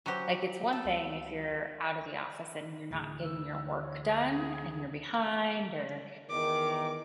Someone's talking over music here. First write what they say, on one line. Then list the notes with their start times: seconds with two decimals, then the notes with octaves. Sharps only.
Like, it's one thing if you're out of the office and you're not getting your work done and you're behind or,
0.06 E3 F#3 F#4 G4 C5
0.73 A4
0.85 C#2
2.91 D2 A2 E3 G#4
3.22 E6
3.80 C#5
4.01 G#4
6.30 E2 D#3 A#4 D6